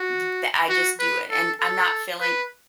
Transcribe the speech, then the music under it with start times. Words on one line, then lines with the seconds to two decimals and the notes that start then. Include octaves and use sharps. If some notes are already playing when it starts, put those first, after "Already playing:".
th the I just do it and I'm not feeling
Already playing: F#4
0.69 F#4
1.00 B4
1.31 A4
1.60 A4
2.21 B4